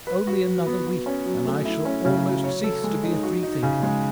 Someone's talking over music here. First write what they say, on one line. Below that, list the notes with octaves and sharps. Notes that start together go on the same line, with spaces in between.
Only another week and I shall almost cease to be a free thinker!
B4
F#4
F#3
B3
F#4
C#4
F#3
A3
E4
C#4
C#3
F#3
C#5
A4
G#3
D#4
F#4
D#4
C#3
G#3